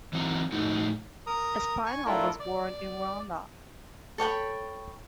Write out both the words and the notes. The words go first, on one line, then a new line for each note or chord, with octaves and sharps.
Espinel was born in Ronda.
E3 F#3 C4 F#5 G5 A#5
F2 A2 A3 D#4 F#4
A#4 A#5 D#6
G#5 C#6
A3 D4 E4 F4 A4 A#4
D5
A4 C#5 G5 B5